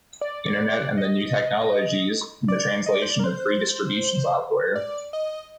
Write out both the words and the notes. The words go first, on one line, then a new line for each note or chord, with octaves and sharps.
Internet and the new technologies, from the translation of free distribution software.
D5
D5
D5
D#5
D5
D#5
D5
C5
D5
A#4
C5
D5
D#5